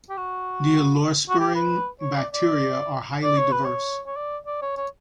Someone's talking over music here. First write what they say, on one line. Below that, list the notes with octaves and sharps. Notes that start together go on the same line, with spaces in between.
Dehalorespiring bacteria are highly diverse.
G4
F#4
F#4
G4
B4
C#5
D5
D5
D5
C#5
B4
C#5
C#5
D5
D5
C#5
C#5